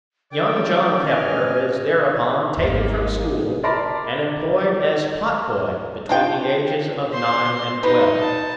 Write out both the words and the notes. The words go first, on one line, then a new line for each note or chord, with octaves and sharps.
Young John Kepler was thereupon taken from school, and employed as pot-boy between the ages of nine and twelve.
A#4 D5 G5
C#4
B4 D#5 G#5 F6
G#1 E2 A#3 D#4
A#4 D5 A5 B5 C6 A#6
D4 F4 G5
C5 C6
D#4 B4
A5